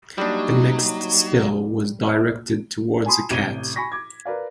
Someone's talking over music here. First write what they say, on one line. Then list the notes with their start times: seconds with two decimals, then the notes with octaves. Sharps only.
The next spell was directed towards a cat.
0.18 F#3 G3 A#3 D4 D#4 G4 D#6
3.06 G#5 A5 B5 C6 D#6
3.30 A1 C3 G#6 D#7 G7
3.76 G#5 B5 C#6 A#6 B6
3.92 D6 G#6
4.25 A#4 B4 D5 F5